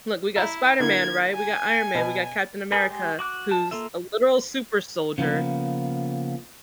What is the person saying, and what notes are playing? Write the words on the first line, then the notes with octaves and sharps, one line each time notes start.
look, we got Spider-Man, right? We got Iron Man, we got Captain America, who's a literal super soldier.
E4 E5 A#5
D3 A#3 E4 G#6
G#5
B2 B4
G#4 A#4 B4 G#5 B5
G#3 G4
F#4 D6 F#6
A5
A#3 F4 A4 E5
C#3 F3 A#3 B3